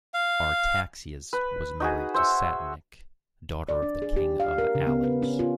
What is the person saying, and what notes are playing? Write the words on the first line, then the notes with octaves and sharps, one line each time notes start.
Artaxias was married to Satenik, daughter of the king of Alans.
F5
B4
D#4 F#4 G#4
C5 E5 F#5
D5
D4
G#4
G4
F5
A#4
C#3
B3
B4
C#4
F4